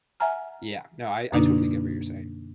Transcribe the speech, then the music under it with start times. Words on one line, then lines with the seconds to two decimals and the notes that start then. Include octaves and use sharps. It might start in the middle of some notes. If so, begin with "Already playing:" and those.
Yeah, no, I I totally get what you're saying.
0.20 E5 F#5 G#5 A#5 F6
1.32 F#2 B2 D3 A#3 D4 D#4